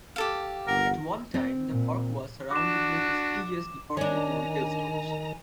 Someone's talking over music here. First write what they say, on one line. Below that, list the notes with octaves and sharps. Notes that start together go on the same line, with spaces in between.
At one time, the park was surrounded by prestigious department and retail stores.
G4 A4 F5
G1 A#4 F#5
C4
A#2
D4 F#4 D6 E7
D#3 C#4 D4 G#5 A#5